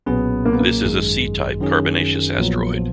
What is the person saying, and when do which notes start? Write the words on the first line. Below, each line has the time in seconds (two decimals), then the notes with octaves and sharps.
This is a C-type carbonaceous asteroid.
0.06 B1 A#2 F#3 B3 C#4 G#4
0.45 A#3
0.52 B3
0.60 A#3
0.84 G#1 F#2 D#3 G#3
1.61 F#2 D#3 F#3 C#4 G#4
2.38 A#1 A#2 F3 F#3 B3
2.76 F3